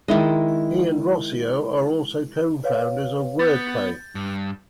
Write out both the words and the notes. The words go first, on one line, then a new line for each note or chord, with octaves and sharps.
He and Rossio are also co-founders of Wordplay.
D#3 G#3 E4 D#5
B4 C#5 F5
B3 G6 A6
G2